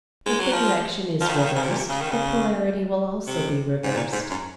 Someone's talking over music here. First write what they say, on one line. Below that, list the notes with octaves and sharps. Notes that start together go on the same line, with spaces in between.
If the direction is reversed, the polarity will also be reversed.
G#3
F#3
F3
F3
D#3
C#3
D#3
C#3
C3
A#2
C3
C#3
D#3
C#3
C3
G#2
A#2
G#2
F#2